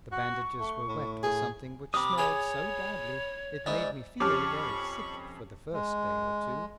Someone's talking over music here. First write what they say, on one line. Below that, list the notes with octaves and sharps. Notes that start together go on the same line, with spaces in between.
The bandages were wet with something which smelled so badly it made me feel very sick, for the first day or two.
F#4 C#6
A3
A2
G#4
C3 B5 D6 D#6
G#4 C#5
G#2 E4 D5
F2 C#4 G4 A5 B5 C#6 D6 F6
G#3